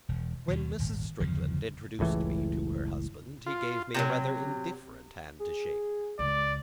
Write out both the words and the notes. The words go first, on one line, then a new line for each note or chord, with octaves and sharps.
When Mrs. Strickland introduced me to her husband, he gave me a rather indifferent hand to shake.
E1
D#2 B2 D#3
D#1 G#1
G1 E2 C#3 F3
F#1 C#2 A2 E3
F4
C3 E3 F#3
G#4
C#2 D5